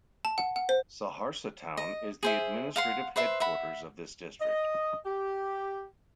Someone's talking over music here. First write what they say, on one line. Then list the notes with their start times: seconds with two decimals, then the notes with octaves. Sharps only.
Saharsa town is the administrative headquarters of this district.
0.25 A5
0.38 F#5
0.56 F#5
0.69 C5
1.77 D#5
2.23 G#4 C5 E5
2.76 F5 F#5 C6
3.16 B4 C5 E5 C6
3.40 E5 F#5 B5
4.41 D#5
5.05 G4